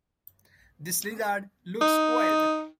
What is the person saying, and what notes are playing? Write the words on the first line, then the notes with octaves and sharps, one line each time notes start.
This lizard looks weird.
D#4